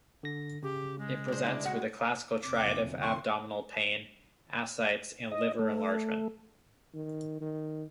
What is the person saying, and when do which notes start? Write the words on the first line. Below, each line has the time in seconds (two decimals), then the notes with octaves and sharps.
It presents with a "classical triad" of abdominal pain, ascites, and liver enlargement.
0.23 D3 A#6
0.63 C#3 G4
0.99 G#3
1.28 D4 C5
1.44 D4 E4
1.65 F#4
2.43 E2 C3 C4 D6
2.66 B1 F2 A#2 E5
2.83 D3
3.02 F2 A#4 C6 C#6
5.31 D#5
5.59 A3
6.94 D#3
7.41 D#3